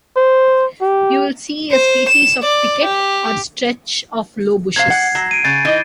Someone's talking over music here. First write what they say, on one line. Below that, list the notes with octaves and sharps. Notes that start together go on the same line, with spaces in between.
You will see a species of thicket, or stretch of low bushes.
C5
G4
C5
E7
D5
G4
C3 C5 F5 G#6 C7
F#5
F#3
D7 D#7
C#3 A6
E3 D#4 D#5